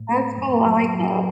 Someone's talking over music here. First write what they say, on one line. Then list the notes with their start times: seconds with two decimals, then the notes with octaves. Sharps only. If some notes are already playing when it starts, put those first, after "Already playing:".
That's cool, I like that.
Already playing: A2
0.09 A3
0.37 F#2
0.66 F#3
0.95 F#3